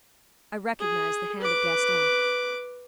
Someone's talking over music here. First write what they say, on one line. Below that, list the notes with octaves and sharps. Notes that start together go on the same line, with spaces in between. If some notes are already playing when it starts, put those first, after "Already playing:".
I recognised the hand of Gaston.
G#4
B4 D6